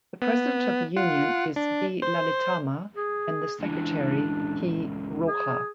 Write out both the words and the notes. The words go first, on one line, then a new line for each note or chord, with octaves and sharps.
The president of the union is B. Lalitamma and the secretary P. Roja.
B3
F4 F#5
D4
C5
G#4
C#2 E3 D4
G#4